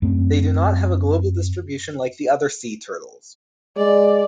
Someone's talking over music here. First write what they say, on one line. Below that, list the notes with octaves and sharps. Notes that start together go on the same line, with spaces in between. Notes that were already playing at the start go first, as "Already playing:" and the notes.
They do not have a global distribution like the other sea turtles.
F#2 A3 C4
G#3 D5